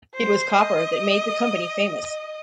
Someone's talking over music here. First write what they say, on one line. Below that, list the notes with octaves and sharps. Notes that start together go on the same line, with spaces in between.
It was copper that made the company famous.
C5
D#5